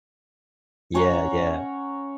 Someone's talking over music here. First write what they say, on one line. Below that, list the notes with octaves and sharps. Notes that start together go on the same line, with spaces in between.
Yeah, yeah.
C#4 C#5 F#5 A#5